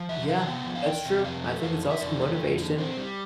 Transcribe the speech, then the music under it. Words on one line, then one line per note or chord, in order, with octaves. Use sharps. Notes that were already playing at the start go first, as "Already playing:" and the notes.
Yeah, that's true, I think it's also motivation
Already playing: F3
E2 E5
C3 F5
A5
B3 G5
F3
F5
E2 G5
C3
F2 F5
A3
F2 F5
D3
E5
F2 D5
A3
F2
D3
C4
G3